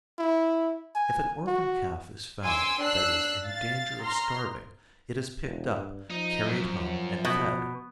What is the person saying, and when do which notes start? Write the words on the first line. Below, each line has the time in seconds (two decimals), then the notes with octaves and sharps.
If an orphan calf is found that is in danger of starving it is picked up, carried home and fed.
0.18 E4
0.95 G#5
1.47 F#4
2.44 G#5 C6 D6 E6
2.81 D4 E6 F#6 C7
3.45 F5 A6
4.03 A#5 C6 F6
5.44 E1
5.73 G2
6.10 F3 D#4
6.46 F#2
7.25 B2